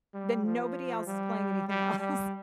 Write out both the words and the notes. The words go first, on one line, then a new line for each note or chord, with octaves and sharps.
then nobody else is playing anything else.
G3
F3
G3
G3
G3